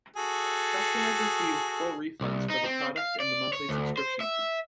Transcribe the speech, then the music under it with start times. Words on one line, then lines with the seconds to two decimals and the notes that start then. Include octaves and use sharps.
Customers received full refunds for the product and the monthly subscription fee.
0.16 F#4 G#4 A4
2.21 C2
2.50 D#4
2.64 C4
2.98 F5
3.20 D5
3.53 C#5
3.69 D2
3.97 C5
4.20 E5